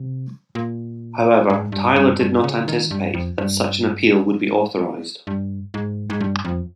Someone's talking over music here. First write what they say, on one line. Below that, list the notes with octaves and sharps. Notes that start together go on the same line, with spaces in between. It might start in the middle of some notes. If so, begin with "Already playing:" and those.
However, Tyler did not anticipate that such an appeal would be authorized.
Already playing: C3
A#2
G#2
G2
G2
G2
C#3
D#3
G2
F2
G2
G2
G#2
G#2
G2
F2